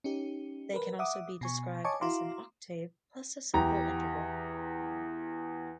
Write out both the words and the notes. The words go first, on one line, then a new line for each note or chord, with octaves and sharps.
They can also be described as an octave plus a simple interval.
C#4 D#4 G4
A#4 B4
E5 F#5 D6 D#6
B2 G#5 C#6
C#5 D#5 G#5 A5 C#6 D6
E4 F#4 F5 A#5 C6 D6
E2 G4 A#5